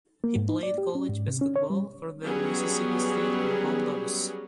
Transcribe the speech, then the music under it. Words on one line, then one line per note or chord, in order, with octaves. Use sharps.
He played college basketball for the Mississippi State Bulldogs.
A#3
G#2
D#4
D5
G4
C#4
G#2
C3
C#4
C#5
G3
F#3 G3 B3 C#4 G#4